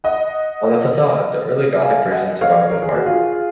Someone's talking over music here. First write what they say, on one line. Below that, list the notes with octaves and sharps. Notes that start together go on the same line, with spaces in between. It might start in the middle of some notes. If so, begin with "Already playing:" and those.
On the facade, the early gothic version survives in part.
D#5 F#5
F5 G#5
D#5 F#5
C#5 F5
A#4
G#4
F#4
F4 G#4